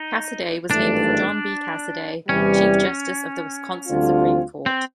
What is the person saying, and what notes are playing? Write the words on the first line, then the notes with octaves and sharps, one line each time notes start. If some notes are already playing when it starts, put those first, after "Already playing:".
Cassoday was named for John B. Cassoday, chief justice of the Wisconsin Supreme Court.
Already playing: D#4
G#1 G2 E3 A3 D4
E2 C3 E3 G3 C#4
D2 D3 G3 C4 F4
C4